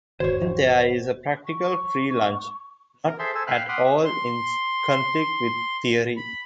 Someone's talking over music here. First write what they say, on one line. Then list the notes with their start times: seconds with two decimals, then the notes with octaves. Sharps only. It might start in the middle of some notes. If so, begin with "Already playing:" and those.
And there is a practical free lunch, not at all in conflict with theory.
0.20 E1 G#2 D#3 F#4 C5 C#5 G#6
1.46 C#6
3.07 A#4
3.19 G#4 A4 C5 E5 C6
3.35 A4 C5 G#5 E6
3.47 F5 G5 B5 F6 F#6
3.69 F#5 B5 C6 D6 D#6 F6
4.05 C6
6.17 B5